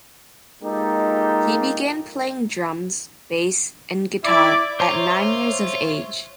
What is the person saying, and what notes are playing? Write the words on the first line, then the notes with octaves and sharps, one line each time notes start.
He began playing drums, bass and guitar at nine years of age.
G#3 A#3 D#4 F4 G4 A4
E4 D5 D6
F4 C5 C#5 E5 A#5 D6